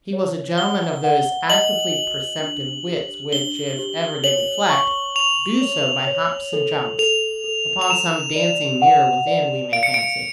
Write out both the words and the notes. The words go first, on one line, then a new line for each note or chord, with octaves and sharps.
He was a gentleman of those actively perceptive wits which, if ever they reflect, do so by hops and jumps: upon some dancing mirror within, we may fancy.
C#5
F#5 G7
F#5
D#5 F#7
F#4
D4
G4
D4 G7
G4
C#5 F#7
C#6
C#6 F7
C#5
C#5
A4
A4 F7
A4
F7
A#5 E7
D5
F#5
D5
F5 D7
C#7
D7